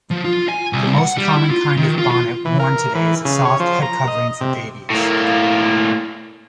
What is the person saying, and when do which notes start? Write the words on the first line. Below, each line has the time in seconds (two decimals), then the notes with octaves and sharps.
The most common kind of bonnet worn today is a soft headcovering for babies.
0.11 F3
0.25 F4
0.49 G#5
0.73 C2
0.98 F#5
1.18 G3
1.36 E4
1.50 F4
1.77 D#3
1.98 F4
2.11 F4
2.45 E3
2.60 A#4
2.95 E3
3.25 C#3
3.45 C#5
3.60 F3
3.82 A#5
4.08 D#5
4.41 C3
4.90 A2 A#3